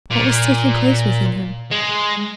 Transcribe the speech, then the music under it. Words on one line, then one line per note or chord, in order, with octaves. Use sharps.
What was taking place within him?
A#2
G#3